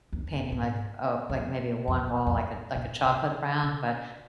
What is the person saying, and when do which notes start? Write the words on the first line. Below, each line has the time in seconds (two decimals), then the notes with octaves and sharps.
painting like a like, maybe one wall, like a like, a chocolate brown, but
0.13 E2
0.32 F2
0.52 G#2
1.30 F2
1.88 F2
2.07 F2
2.27 F2
2.75 B2
3.04 C3
3.63 C3